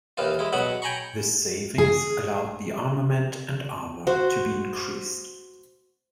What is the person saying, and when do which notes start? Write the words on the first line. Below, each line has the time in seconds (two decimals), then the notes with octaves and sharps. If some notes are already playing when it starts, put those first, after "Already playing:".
This savings allowed the armament and armor to be increased.
0.17 D#2 E3 F4
0.39 G#3 E4
0.53 B2 F#3 F#5 B5 D#6
0.82 G5 G#5 A#5 B5 C#6
1.78 G#4
4.07 F#4 C5